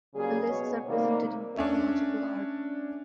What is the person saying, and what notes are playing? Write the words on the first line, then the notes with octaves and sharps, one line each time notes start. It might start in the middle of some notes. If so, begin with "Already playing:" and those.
The lists are presented in chronological order.
C#3 F#3 G3 A#3 G#4
B2 C#5
C3 D#3 G3 A#3
A3 C#4 D4